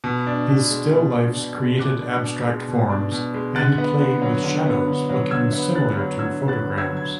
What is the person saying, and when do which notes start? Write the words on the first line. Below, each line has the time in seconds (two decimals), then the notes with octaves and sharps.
His still life's created abstract forms and played with shadows looking similar to photograms.
0.04 B2
0.27 D4
0.48 B2
0.70 G#3
0.92 B2
1.14 D4
1.37 B2
1.58 G#3
1.79 B2 D6 F#6
2.02 D4
2.23 B2
2.46 G#3
2.68 B2
2.90 D4
3.12 B2
3.34 G#3
3.55 D3 F#6 A6
3.78 B3
4.00 D3
4.22 F#3
4.44 D3
4.66 B3
4.87 D3
5.09 F#3
5.31 D3 E6 G#6
5.53 B3
5.75 D3 F#6 A6
5.97 F#3
6.19 D3 E6 G#6
6.42 B3
6.48 F#6 A6
6.64 D3
6.78 E6 G#6
6.85 F#3
6.97 G#6